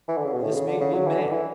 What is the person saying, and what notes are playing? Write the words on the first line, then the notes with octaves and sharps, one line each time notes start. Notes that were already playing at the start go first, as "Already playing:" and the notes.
This made me mad.
E3
D3
C#3
B2
A2
C#3
D3
C#3
F#3
E3
D3
E3